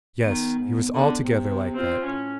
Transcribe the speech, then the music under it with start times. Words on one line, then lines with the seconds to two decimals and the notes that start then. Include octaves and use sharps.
Yes, he was altogether like that.
0.24 D#3 B3
0.58 G#2
0.91 D3
1.22 C3
1.74 C4 F4
2.05 A2 C#4